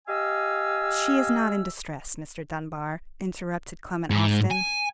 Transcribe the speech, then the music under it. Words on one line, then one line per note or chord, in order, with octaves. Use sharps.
"She is not in distress, Mr. Dunbar," interrupted Clement Austin.
G4 D#5 F5 G#5 E6
G#2
G#5